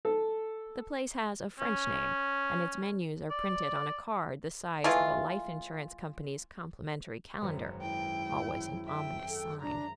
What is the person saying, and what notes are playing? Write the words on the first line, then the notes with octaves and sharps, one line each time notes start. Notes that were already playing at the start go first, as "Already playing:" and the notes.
The place has a French name and its menus are printed on a card the size of a life insurance company's complimentary calendar, always an ominous sign.
A4
C#4
D5
E3 G#3 A3 F4
G#1 F#2 B4
E4 G5
E5 G5
A4
D4 A#5